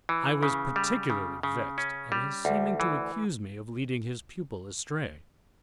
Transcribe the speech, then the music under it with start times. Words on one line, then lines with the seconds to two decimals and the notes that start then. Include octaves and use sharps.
I was particularly vexed at his seeming to accuse me of leading his pupil astray.
0.09 E3
0.43 C#3
0.76 G3
1.10 C#3
1.43 C#3
1.78 C#4
2.12 G3
2.45 D2
2.80 E3